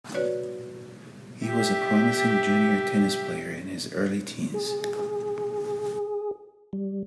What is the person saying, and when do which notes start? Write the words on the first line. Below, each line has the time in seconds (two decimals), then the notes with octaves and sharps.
He was a promising junior tennis player in his early teens.
0.14 F#4 B4 C#5 D5
1.46 G4 E5
4.54 G#4
6.73 G3